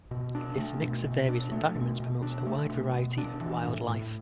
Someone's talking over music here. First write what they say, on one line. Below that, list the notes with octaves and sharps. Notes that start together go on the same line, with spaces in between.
This mix of various environments promotes a wide variety of wildlife.
B2
D4
A3
B2
B2
D4
A3
B2
B2
D4
A3
B2
B2
D4
E3
A2
A2